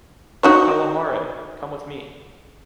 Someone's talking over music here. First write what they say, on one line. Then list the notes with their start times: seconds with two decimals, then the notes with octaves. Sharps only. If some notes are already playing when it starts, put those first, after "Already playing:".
Palomares, come with me.
0.43 D#4 F#4 C#5